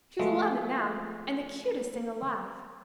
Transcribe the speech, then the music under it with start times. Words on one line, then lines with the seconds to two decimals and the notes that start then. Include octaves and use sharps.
She's eleven now, and the cutest thing alive.
0.19 F3 G#3 A3 B3